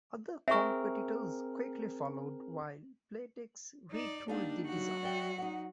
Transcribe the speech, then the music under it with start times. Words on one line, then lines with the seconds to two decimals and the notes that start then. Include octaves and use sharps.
Other competitors quickly followed while Playtex retooled the design.
0.48 C4 G#4 A#4 E5 C#6
3.91 D#4 D5
4.28 G3 A#3 D4 D#4 F5
4.66 F#3 F#4
5.03 D5 E5 G5
5.38 D#4 F#5